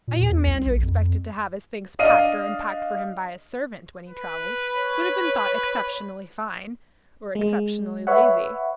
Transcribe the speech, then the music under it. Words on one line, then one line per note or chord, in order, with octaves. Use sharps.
A young man who expected to have his things packed or unpacked for him by a servant, when he travelled, would have been thought exceptionally fine, or exceptionally lazy.
A#2
E2
C2
A#1
F2
D4 D#5 F5 D#7
B4
C#5
G#3
B4 C#5 E5 F#5